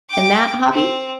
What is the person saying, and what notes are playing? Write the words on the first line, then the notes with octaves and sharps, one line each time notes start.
in that hobby.
G5 D6
C4